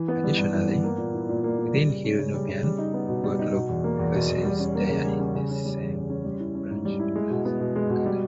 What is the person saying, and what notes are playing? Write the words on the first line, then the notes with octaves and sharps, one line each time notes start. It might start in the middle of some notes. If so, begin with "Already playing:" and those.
Additionally, within Hill Nubian, Glottolog places Dair in the same branch as Kadaru.
Already playing: E3
B3
G3
G2
E3
B3
A#3
A#2
E4
A#2
A#3
A#2
G3
C#3
C#4
C#3
G3
C#3
G3
D#4
B3
B2
G3
D#4
B2
E2
A#3
E2
B2
E2
G3
C#4
A#3
C#3
G3
C#4
C#3
C#4
G3
E2
C#3
C#4
G3
E4
C#4
G#2
G3
E4
G#3
B2
B3
B2
G#3
B2
G3